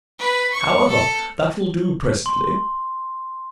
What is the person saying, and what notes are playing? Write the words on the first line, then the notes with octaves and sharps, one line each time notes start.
However, that'll do presently.
B4
C#6
A4
C6